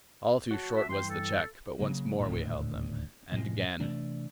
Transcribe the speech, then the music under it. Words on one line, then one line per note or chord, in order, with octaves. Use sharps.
All too short was the check, but once more we held them--and again.
F#4 C#5 A5
E5
G2 E3 G5 C6
A4
C#3 F#3 A#3
D#1 D2 A2
A2 C3 F3 G#3
C3 E3 A3 D4